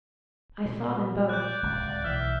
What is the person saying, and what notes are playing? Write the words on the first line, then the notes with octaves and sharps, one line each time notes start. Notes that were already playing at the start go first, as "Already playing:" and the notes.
I saw them both.
A#2
D5 F#6 G6
D1 C#2 C3
B1 E3 E5 F6